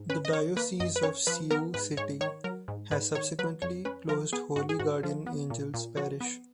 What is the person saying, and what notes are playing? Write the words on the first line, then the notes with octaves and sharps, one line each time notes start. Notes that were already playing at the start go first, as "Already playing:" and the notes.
The Diocese of Sioux City has subsequently closed Holy Guardian Angels Parish.
Already playing: G#2
C#4 B4
D#5
D#3 C#5
A#3 B4
F#2 D#5
B4
C#4 C#5
F3 B4
B3 A#4
G#2 B4
G#2 C#5
D#3 C#5
F#3 A#4
G#2
G#2 B4
D#3 C#5
F#3 B4
F2 C#5
C#4 B4
F3 A#4
B3 G#4
G#2 F#4
G#4
G#2 F#4
F3
B3
A#2
A#2
F3 F#4
B3